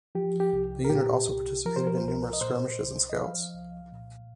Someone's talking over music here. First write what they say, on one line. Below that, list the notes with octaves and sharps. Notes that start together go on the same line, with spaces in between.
The unit also participated in numerous skirmishes and scouts.
F3 G4
G4
C2
A#4
A#2 G4
C2
F3 A#4
C5
A#4
C5
C2 A#4
D#5
A#2 C5
C2
D#5
F3 F5
C2
A#2